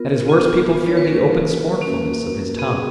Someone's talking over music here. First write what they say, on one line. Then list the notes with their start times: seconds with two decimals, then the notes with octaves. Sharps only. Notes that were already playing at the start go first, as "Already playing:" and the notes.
At his worst people feared the open scornfulness of his tongue.
Already playing: B3 F4 A#4
0.28 B3 F4
0.88 C#5
0.97 B4
1.05 A#3 C#4 F#4 A#4
1.82 A#3 C#4 F#4
2.58 B3 F#4 G#4